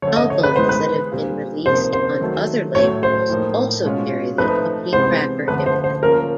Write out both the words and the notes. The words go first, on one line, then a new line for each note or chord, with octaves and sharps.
Albums that have been released on other labels also carry the Uppity Cracker imprint.
D3 F3 A3 C#5
D#5
C#5
B4
E3 G#3 B3 C5
B4
A#2 G3 C4 F4
C3 F3 A#3 D#4 C5
C5
D#3 F#3 A3
A2 F#3 A3 C#5
C5
A2 F3 A#3 D#4
B2 G#3 C#4 F4
F3 A3 C4 D#4 B4
C3 E3 G#3 B3 C5
D3 F3 A3 B4
C5
C5
F3 A#3 C#4 F4 A#4